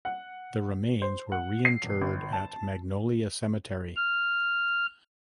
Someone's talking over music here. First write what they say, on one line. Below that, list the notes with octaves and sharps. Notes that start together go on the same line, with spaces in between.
The remains were reinterred at Magnolia Cemetery.
F#5
C5
F#5
C7
E1
G1
A5
F6